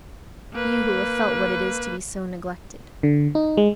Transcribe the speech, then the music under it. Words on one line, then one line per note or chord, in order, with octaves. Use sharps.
You who have felt what it is to be so neglected!
A#3 B4
D3
D#4
G#3